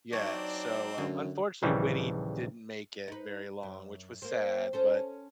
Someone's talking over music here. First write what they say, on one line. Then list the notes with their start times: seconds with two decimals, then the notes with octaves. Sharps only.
Yeah, so, um, unfortunately, Winnie didn't make it very long, which was sad, but,
0.13 F#3 C4 D4 D#4 C#5 D5
0.98 F#2 D3
1.62 A#1 D#2 C#3 E3 G3
3.08 D#4 B4
3.63 F#2
4.22 A#3 C4
4.73 C#4 A4 C5